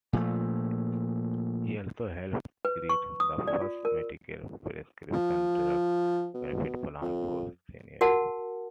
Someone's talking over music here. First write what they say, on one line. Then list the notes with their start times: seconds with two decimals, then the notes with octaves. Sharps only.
He also helped create the first Medicare Prescription Drug benefit plan for seniors.
0.13 A#2 F3 A3
2.65 B4
2.89 C#6
3.20 D#6
3.48 D5
3.61 F4
3.85 A#4
5.13 F3
6.35 B2
7.01 F2
8.01 F#4 A#4 F#5 A5